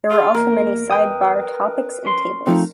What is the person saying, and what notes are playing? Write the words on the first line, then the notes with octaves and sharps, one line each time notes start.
There were also many sidebar topics and tables.
F4 G#4
E2 A#3 A#4
B4 G5 D#6
C#4 C6
F3 A3 C4 D#4